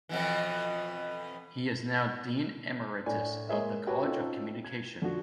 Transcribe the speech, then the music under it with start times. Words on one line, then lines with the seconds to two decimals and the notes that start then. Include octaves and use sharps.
He is now Dean Emeritus of the College of Communication.
0.09 F2 B2 E3
3.06 A2 D4 D5 G#5
3.49 G#3 A#3 G#4 C#5 E5
3.87 F#4 G4 B4 C#5
4.02 C4 C#4 D#4 F4 A4
4.65 G#6
5.02 F2 D3 F3 F#4